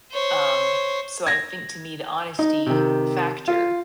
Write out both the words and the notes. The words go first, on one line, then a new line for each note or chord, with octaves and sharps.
Um, so I think to me the honesty factor
C5 C#5
G#6 A#6
D#4
C3 D#3
F4